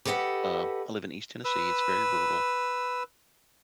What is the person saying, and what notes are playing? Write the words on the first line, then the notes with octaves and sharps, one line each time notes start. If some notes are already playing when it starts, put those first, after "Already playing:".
um, I live in East Tennessee, it's very rural
G4 A4 B4 D#5 F5 F#5
B4 E6